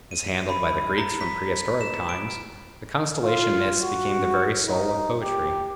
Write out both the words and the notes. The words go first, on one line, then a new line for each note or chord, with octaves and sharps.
As handled by the Greeks from prehistoric times, the constellation myths became the very soul of poetry.
D#7
B5
A#5
B6
E7
D7
F4
F#4
D#4
G4